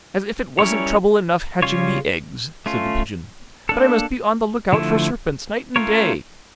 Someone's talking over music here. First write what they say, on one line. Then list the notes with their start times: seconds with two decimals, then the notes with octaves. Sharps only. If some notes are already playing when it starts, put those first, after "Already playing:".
'As if it wasn't trouble enough hatching the eggs,' said the Pigeon; 'but I must be on the look-out for serpents night and day!
0.59 G3 C#4 E4 A#4 C#5
1.62 C#3 G3 C#4 F4 C#5
2.66 A3 C#4 F4
3.69 A#3 D4 A4
4.72 D3 F3 A3 E4
5.76 A3 C#4 F4 A#4 C#5